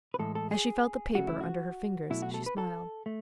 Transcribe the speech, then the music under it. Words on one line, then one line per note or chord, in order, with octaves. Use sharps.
As she felt the paper under her fingers she smiled.
B4
A2 E3 G#3 A4
A4
G#4
C#3 F#3 A3 F#4
E4
F#4
B2 F#3 A3 E4
F#4
A4
B4
A4
A3